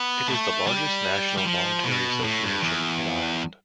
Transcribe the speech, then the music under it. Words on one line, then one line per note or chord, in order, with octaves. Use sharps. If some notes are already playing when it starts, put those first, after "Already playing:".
It is the largest national voluntary association in Ireland.
Already playing: B3
A3
G3
G3
F3
B2
A2
G2
E2